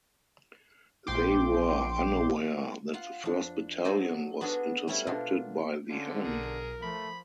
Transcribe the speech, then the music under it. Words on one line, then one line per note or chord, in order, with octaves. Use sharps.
They were unaware that the first battalion was intercepted by the enemy.
A#1 G5 C6 D6
F4 F5 F#5
F2 D4
F#3 D#4 A4 C5 D5 G#5
B3 D4 F#4 G#4 A4
G3 A3 C#4 E4 A4
B2 D4 F4 A4 A#4
D3 C#4 F4
B1 G#4 A#4
F3 A3 B5